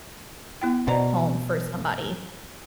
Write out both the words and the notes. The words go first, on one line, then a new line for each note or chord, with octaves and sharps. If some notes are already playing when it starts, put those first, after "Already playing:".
home for somebody.
B3 E4 G5
B2 C5 D5 A#5